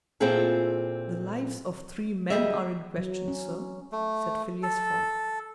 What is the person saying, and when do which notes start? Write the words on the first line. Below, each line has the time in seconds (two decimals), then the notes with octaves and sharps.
"The lives of three men are in question, sir," said Phileas Fogg.
0.20 A#2 C4 E4 F4 G#4 A4
2.30 D2 G3 G#4 D#5 E5
2.98 F#3
3.28 C#4
3.92 A3
4.63 A4